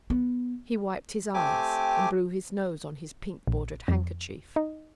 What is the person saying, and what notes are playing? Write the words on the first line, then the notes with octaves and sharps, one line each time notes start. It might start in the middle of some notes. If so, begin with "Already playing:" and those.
He wiped his eyes and blew his nose on his pink bordered handkerchief.
B3
A3 C4 G4 G#5 D6
A#1
F2
D#4